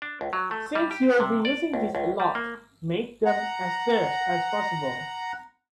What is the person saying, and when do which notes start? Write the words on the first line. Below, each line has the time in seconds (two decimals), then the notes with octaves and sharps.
Since you'll be using these a lot, make them as terse as possible.
0.02 D4
0.21 C#2
0.33 F#3
0.51 A3
0.75 G3
0.91 G4
1.20 C3
1.45 D5
1.74 C#2
1.95 C#2
2.20 G3
2.35 A#3
3.26 F#5 A#5